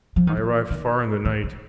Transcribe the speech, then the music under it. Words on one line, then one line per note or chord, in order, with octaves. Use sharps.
I arrived far in the night.
F3
D#3
F3
D#3
D#3
D3